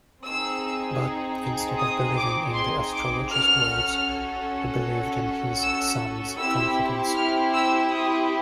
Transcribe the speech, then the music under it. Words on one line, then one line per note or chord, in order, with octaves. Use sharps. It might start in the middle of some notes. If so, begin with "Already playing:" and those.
But, instead of believing in the astrologer's words, he believed in his son's confidence.
C4 D#4 G#4 E6
D#6
D6
C6
D6
C#4 F#4 A4 F6
E6
C4 E4 G4 E6
F6
E6
D#6